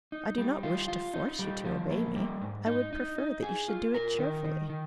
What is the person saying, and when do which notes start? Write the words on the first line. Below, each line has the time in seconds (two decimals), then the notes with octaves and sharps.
"I do not wish to force you to obey me; I would prefer that you should do it cheerfully."
0.12 D#4
0.38 G3
0.63 F4
0.88 F4
1.14 D#4
1.39 G3
1.65 F3
1.91 A#3
2.16 G3
2.41 G#2
2.66 D#4
2.93 D#4
3.18 D#4
3.43 G#4
3.68 F4
3.94 A#4
4.19 D#3
4.45 D#3
4.70 D#3